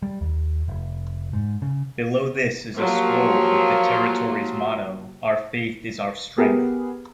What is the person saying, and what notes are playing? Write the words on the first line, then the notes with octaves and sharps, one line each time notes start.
Below this is a scroll with the territory's motto, "Our faith is our strength".
G3
D#2
F1
G#2
C#3
F3 F#3 A#3 F4 G4
B3 G4 G#4 A#4